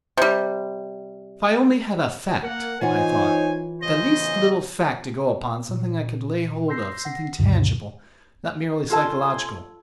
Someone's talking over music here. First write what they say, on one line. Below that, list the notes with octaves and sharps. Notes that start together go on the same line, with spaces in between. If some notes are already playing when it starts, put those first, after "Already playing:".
If I only had a fact, I thought, the least little fact to go upon, something I could lay hold of, something tangible, not merely psychological.
C3 G3
A#3 A#4 F#5
E3 D#4 F4 C5 C#5 F#5 G#5
A1 E2 C#3 C5 D#5
A#2
C6 E6 G6 A#6 C7
F#5 A#6 C7
D2 G2 B2 D3 D#3
F4 A4 G#5 A5 C6 G#6